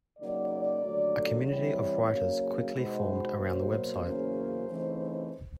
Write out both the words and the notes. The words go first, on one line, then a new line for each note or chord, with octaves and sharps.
A community of writers quickly formed around the website.
C#3 F#3 A#3 D#4 D5
D#2 D3 F#3 A3
C3 E3 G3 B3 C#5
C#3 F#3 A#3
B2 G#3 B3 D#4 C5
B2 F#3 A#3
E2 C#3 F#3 A#3 C#4
C#3 E3 A3 C4 D#4